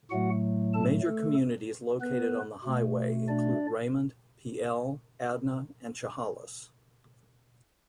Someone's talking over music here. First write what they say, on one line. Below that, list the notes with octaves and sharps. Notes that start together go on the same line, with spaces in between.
Major communities located on the highway include Raymond, Pe Ell, Adna and Chehalis.
A2 F#3 A3 F#4 F#5
A4 A5
A3 A4
B3 B4
B2 A3
D4 D5